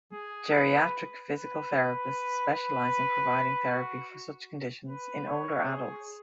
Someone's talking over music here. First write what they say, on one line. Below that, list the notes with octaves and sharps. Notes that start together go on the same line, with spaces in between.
Geriatric physical therapists specialize in providing therapy for such conditions in older adults.
G#4
B4
B4
B4
F#4
B4
C#5
G#4